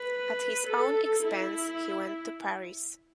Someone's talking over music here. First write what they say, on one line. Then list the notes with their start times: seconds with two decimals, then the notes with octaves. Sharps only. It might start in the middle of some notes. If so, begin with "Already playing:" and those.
At his own expense he went to Paris.
Already playing: B4
0.67 A4
1.23 E4